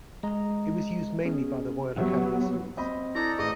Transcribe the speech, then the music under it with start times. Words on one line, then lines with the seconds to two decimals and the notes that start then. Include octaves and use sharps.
It was used mainly by the Royal Academy Schools.
0.23 G#3 D#5 A#5
1.25 B3 C#4 G#4
1.97 F#3 B3 G4 E5 F#5
2.77 C4 D#5 B5
3.15 D#4 E4 A4 D5 A#5
3.39 A1 G#4 D#5